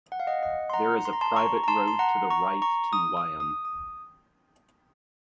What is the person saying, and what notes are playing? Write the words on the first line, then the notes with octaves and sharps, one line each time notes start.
There is a private road to the right to Wyham.
F#5
F5
D#5 F#5
D#5 F#5
C6
F#5 A#5
C6
A#5
A5 C6
A#5 C#6
A#5
A5 C6
C6
F#5 A#5
A#5 C#6
A#5 C#6
D#6
D#6
D#6
D#6